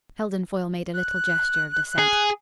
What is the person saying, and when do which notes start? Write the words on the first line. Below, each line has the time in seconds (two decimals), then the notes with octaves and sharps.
Heldon Foyle made a little gesture of dissent.
0.93 F#6
1.99 G#4